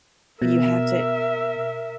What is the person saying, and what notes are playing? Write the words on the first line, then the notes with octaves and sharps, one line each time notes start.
You have to
B2 A#4 E5